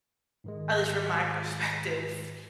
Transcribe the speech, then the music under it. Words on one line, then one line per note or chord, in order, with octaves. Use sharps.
at least from my perspective.
G#2 D#3 G#3